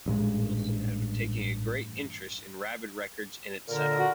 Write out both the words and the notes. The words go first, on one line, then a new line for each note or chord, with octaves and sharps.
Wilson had been taking a great interest in Rabid Records and its set up.
A1 G2 A#2 G#3
A#2 D3 A#4
F#4